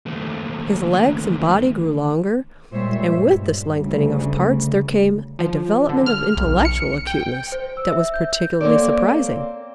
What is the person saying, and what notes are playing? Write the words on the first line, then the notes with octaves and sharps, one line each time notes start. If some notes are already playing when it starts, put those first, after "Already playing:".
His legs and body grew longer; and, with this lengthening of parts, there came a development of intellectual acuteness that was particularly surprising.
D#2 A3
A#2 G3 G#3 C5 C#5 E5
G2
D2 C#3 G3
F3
D3
F6
B1
C#7
G5
C5
E6
E5
G6
A#3 C4 C#4 A4 D5